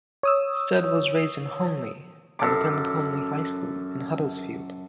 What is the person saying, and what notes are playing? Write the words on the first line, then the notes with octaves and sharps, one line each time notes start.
Stead was raised in Honley and attended Honley High School in Huddersfield.
C#5 D#6 E6
F#2 A4 D6